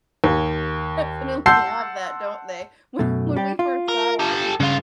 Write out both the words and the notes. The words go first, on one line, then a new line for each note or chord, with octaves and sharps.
definitely have that, don't they? When when we first got ours, we took her
D#2
F#5 A5 C6 E6 G6 C7
F#2 B2 A3
G3 G4
F4
A#4
G4 A4
G2 C#3 F4